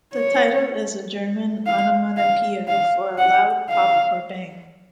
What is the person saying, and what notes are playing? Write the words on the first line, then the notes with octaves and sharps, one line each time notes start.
The title is a German onomatopoeia for a loud pop or bang.
C#5
F5
F5
F5
F#5
F5